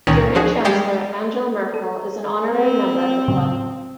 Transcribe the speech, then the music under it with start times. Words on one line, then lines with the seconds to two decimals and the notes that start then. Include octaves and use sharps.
German Chancellor Angela Merkel is an honorary member of the club.
0.07 C#2 A#2 D#3 C#4
0.35 F3 F#4 G#4
0.65 G3 G#3 G4 C7
1.74 A4
2.50 C4
3.28 A2 C#3 F#3